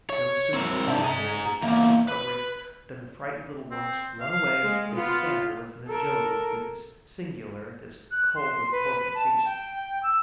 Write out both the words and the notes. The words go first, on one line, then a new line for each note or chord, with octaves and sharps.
No sooner do we tear this final covering than the frightened little ones run away and scatter with an agility that is singular at this cold and torpid season.
C#5
C4 A#4
C3 D4
G#4 A#5
E2 A#3
B4
C4
F5
G#3
B3 F4
A4 A#4
F#6
C6
B4
A5
G5
E6